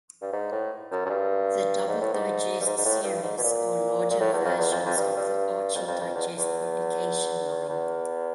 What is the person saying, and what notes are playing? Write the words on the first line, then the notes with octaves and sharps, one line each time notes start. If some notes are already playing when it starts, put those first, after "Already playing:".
The Double Digest series are larger versions of the Archie Digest publication line.
G2
G#2
A2
F#2
F#2
G2
G#2
A2
G#2
G2
G#2
G#2
A2
G2
G#2
B2
A#2
A#2
A2
E2
F2
E2
F2
F2
G2
G2
F2
F2
F2
E2
E2
E2